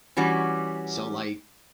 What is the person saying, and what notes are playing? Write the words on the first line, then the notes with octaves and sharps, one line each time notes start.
So, like
E3 G3 C#4 F#4